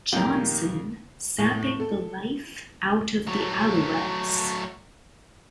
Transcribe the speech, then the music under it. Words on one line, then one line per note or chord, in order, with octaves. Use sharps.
Johnson, sapping the life out of the Alouettes.
F2 A#2 D#3 G4 A#4
A2
A4
F#3 A3